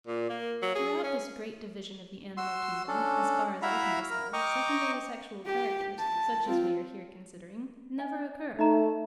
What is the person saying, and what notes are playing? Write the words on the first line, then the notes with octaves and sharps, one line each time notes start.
Throughout this great division of the animal kingdom, as far as I can discover, secondary sexual characters, such as we are here considering, never occur.
A#2
A#3
F#3
G#4
C#4
F#4 C6 E6
C#4 D4 A4
E4 F#4 E5 F5 A#5 B5
A#4
D#5 G5 A#5 C#6 D6
G4
A5
C4 F4
D#5 G#5
A3 D#4 D#5 A#5